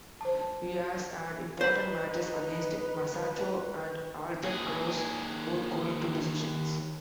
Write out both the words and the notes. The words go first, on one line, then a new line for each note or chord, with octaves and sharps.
He has had important matches against Masato and Albert Kraus, both going to decisions.
C5 A5
D#4 B4 C5 B5
D#2 G#4